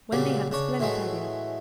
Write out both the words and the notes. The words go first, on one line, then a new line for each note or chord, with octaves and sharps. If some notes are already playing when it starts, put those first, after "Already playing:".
Wendy had a splendid idea.
A#2 C#3 F#3 G3 A#3
C#3 D4 C#5
A2 E3 F#3 G#3 A3